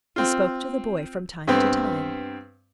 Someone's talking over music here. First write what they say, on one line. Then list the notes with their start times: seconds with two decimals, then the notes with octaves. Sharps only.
He spoke to the boy from time to time.
0.16 C4 F4
1.47 G2 B3 C4